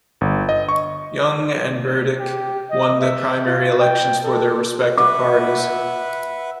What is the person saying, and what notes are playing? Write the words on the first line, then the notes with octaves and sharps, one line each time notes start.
Young and Burdick won the primary elections for their respective parties.
G1
D#5
C#6
G4
D#5
E5
F4
G5
A4
B4 E5 F#5 D6